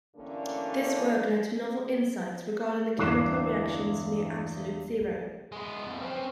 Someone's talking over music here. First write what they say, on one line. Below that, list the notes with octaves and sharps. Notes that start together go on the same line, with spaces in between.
This work led to novel insights regarding the chemical reactions near absolute zero.
G2 D3 E3 A3 A#3 C#4
G1 E2 D6 F#6 C7 E7
G#3 B3
C2 F3
C4 C#4 B4 C5